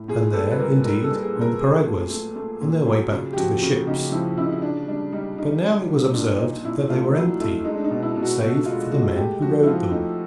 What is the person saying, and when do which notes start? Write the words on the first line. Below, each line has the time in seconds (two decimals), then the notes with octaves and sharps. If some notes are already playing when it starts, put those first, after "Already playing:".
And there, indeed, went the piraguas on their way back to the ships. But now it was observed that they were empty, save for the men who rowed them.
Already playing: A2
0.08 A#2 G#4
0.34 G3 A4
0.51 B4
0.60 G3 A#4
0.84 G3 A#4
1.04 A4
1.10 G3
1.22 G#4
1.36 A#2
1.41 A#4
1.60 F#3 G#4
1.86 A3
2.10 A3
2.36 A3
2.61 A#2
2.87 F#3
3.11 C#3
3.33 G4
3.36 F3 F#4
3.62 C#3 F#4
3.87 C#3 D#4
4.12 F3 E4
4.37 C#3 E4
4.44 D#4
4.52 E4
4.62 D3 D4
4.88 G3 D4
5.13 G3 D#4
5.38 D3 D#4
5.64 G3
5.89 D3
6.14 A#2 D4
6.39 A#2 D#4
6.65 A#2 E4
6.89 A3 F4
7.15 F#3 E4
7.40 A3 E4
7.65 G#3 D#4
7.75 D4
7.84 D#4
7.90 B2
8.02 E4
8.16 B2
8.23 F#4
8.41 B2 F#4
8.66 G#3 F4
8.91 G#3 F#4
9.16 A3 G4
9.42 F3 F#4
9.63 E4
9.67 F3 F4
9.92 A3 D#4